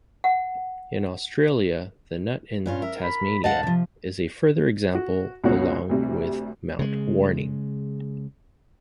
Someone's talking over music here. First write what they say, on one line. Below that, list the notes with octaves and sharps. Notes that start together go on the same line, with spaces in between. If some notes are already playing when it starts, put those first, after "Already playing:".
In Australia, the Nut in Tasmania is a further example, along with Mount Warning.
F#5
G2 C#4 F4
A#4 E5
B5
D#5 F5 F#5 A5
C3 F3
F#4
C#2 B2 C#4 F#4 C#5
D2 C3 G3
C#3 G#3